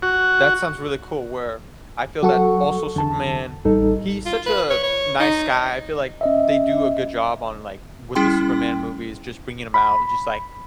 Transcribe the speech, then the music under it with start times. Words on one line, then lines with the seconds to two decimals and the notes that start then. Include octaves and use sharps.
that sounds really cool where I feel that also Superman, he's such a nice guy. I feel like they do a good job on, like with the Superman movies, just bringing him out. Just like,
0.02 F#4
2.23 F#3 F#4 A4 F#5 C#6
2.96 E2 D3 A5
3.65 A1 G3 D#4 A4
4.26 F4
4.47 B4
4.70 C#5
4.83 C#5
5.20 D#4
6.21 C#4 D#5 E5
8.15 G3 C#4 E4 G#4 G5 C6
9.74 B5